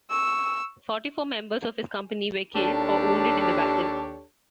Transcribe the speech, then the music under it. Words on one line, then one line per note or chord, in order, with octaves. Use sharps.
Forty-four members of his company were killed or wounded in the battle.
C#6 E6
D#2 D4 G4 A4 C#5 D5